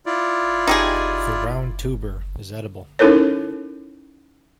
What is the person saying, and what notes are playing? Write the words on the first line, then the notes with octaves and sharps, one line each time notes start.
The round tuber is edible.
E4 F4 D5
D#4 G4 G#4
C#4 D#4 E4 A4 A#4 C#5